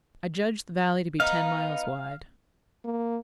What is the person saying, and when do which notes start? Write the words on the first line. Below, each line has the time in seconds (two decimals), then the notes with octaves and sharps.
I judged the valley to be ten miles wide.
1.20 B3 D#4 F5
2.85 A#3